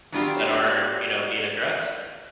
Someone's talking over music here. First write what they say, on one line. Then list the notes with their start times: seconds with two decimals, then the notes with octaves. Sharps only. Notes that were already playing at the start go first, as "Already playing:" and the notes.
that aren't, you know, being addressed.
0.12 F#3 B3 D4 F4 G4